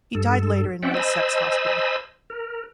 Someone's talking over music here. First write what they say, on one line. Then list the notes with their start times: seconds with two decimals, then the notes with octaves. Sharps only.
He died later in Middlesex Hospital.
0.15 G2 A4
0.83 C4 C#4 D5 E5 F#5 G5
0.94 C5 D#5 G#5 A5 B5 E6
2.30 A#4